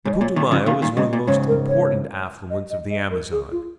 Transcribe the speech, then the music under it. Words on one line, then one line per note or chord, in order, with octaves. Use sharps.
The Putumayo is one of the most important affluents of the Amazon.
G#2 C#5
D#5
A#2 C#5
A#2 D#3
C#3 F3
A#2 D#3 F5
A#2 D#3
G#2 C#3 D#5
A#2
G#2 C#3 C#5
A#4
C#5
D#5
D#5
D#5
A#4
G#4
F4